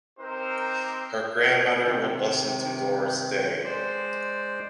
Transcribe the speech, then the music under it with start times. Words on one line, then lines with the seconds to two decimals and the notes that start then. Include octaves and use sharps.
Her grandmother would listen to Doris Day.
0.19 C4 D#4 G4 A#4 C5
1.85 C3 D#3
3.64 G#3 C5 D5